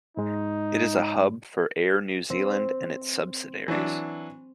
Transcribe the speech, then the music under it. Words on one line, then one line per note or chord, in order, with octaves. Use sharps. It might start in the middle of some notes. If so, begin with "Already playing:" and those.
It is a hub for Air New Zealand and its subsidiaries.
G#2 G#3 D#4
C4
E3 F#3 D4